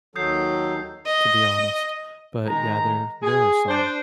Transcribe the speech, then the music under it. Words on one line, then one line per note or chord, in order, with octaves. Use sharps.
to be honest. But, yeah, there there are some.
D#2 D#3 F#3 A4 D#6 G6 C7
D#5
D#3 G#3 A#5
G#4
D4 C5